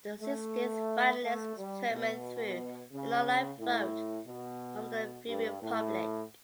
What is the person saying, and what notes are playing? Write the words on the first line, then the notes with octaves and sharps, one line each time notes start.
The sixteenth finalist was determined through an online vote from the viewing public.
A3
A3
G3
B2
C#3
A2
B2
G2
A2